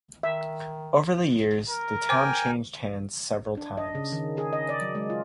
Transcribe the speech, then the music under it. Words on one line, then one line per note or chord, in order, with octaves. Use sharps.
Over the years, the town changed hands several times.
D#3 E5
A#4
C5 G5 G#5 D6
D4
D#5
C#3
D#3
G#4
D#5
D5
F#3
G#3
F4